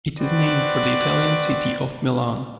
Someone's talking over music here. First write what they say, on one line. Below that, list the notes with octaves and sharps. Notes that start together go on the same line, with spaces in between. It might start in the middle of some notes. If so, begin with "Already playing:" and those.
It is named for the Italian city of Milan.
C4 F#4 B4 D5